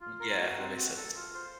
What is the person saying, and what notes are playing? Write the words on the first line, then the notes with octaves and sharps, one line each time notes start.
Yeah, that makes sense.
F4
A#4
F#4
C4
F#4
A4
F4
C5